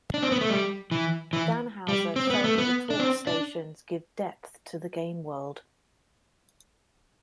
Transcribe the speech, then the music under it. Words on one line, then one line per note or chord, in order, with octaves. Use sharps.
Dan Houser felt that the talk stations give depth to the game world.
D4
C4
B3
A3
G3
E3
E3
G3
C4
B3
A3
B3
D4
C4
D4